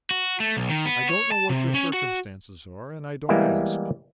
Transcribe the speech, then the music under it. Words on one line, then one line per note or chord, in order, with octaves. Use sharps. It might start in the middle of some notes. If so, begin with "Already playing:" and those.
I don't know what your circumstances are, and I don't ask.
F#4
A3
B1
D#3
B3
C#5
A5
C3
C#4
F#4
E3 G3 G#3 A#3 B3 E4